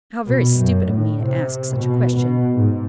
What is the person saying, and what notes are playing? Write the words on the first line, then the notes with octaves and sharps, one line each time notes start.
How very stupid of me to ask such a question.
B2
F#2
A2
C3
B2
B2
G#2